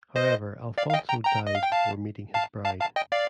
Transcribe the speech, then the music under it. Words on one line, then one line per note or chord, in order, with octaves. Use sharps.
However Alfonso died before meeting his bride.
C5 D#5
D5 F5
F5
D#5 G5
G5 A#5
G5 A#5
D#5
F5
G5
F5 A5
F5 A5
F5 A5
F5 A5
D#5 G5
D5 F5